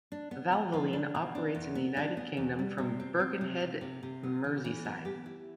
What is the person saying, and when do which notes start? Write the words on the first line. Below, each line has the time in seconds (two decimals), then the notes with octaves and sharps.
Valvoline operates in the United Kingdom from Birkenhead, Merseyside.
0.12 D4
0.31 B3
0.52 B3
0.73 F3
0.93 D4
1.15 B2
1.35 D4
1.55 E2
1.75 B3
1.97 D4
2.17 B3
2.37 E2
2.59 G3
2.78 C3
3.00 C4
3.20 C4
3.41 C3
3.61 C3
3.81 C3
4.03 C3
4.23 B3
4.44 E3
4.64 E3
4.85 B3
5.05 G4
5.26 E4